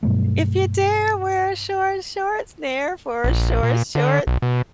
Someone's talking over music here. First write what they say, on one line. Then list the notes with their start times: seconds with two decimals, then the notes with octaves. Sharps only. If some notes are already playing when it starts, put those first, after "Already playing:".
If you dare wear short shorts, Nair for short short.
0.03 G2 B2 F#3 A3
3.24 A#1
3.63 A#2
3.95 D3
4.27 B1
4.42 B2